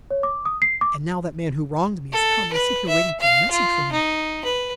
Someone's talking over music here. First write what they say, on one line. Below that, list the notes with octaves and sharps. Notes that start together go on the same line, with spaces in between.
And now that man who wronged me has come; I sit here waiting for a message from him.
C#5
D6
D#6
C7
D6
A4
B4
E5
F5
F4
D#4
B4